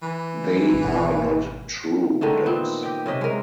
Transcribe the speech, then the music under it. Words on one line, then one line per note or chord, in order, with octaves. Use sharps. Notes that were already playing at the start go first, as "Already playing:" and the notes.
They are not true ducks.
E3
G#1 B2
D3 D#3 G#3 A3
A#2 B3 C4
G4 D#5 G5
C3 C#4 D#5 E5
G#3 A#4